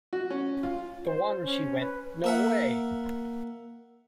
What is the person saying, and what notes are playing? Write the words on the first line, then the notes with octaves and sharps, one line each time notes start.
The one she went.. no way!
F#4
C#4
F4
C5
C#4
B4
A#3 E5 F#5